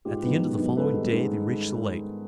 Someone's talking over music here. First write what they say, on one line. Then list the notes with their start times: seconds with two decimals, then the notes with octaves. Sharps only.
At the end of the following day they reached the lake.
0.05 G#2 F4 G4
0.23 D#3 F#3 B3
0.41 G#2
0.59 D#3 F#3 B3
0.77 G#2 A4 B4
0.94 D#3 G3 A#3
1.13 G#2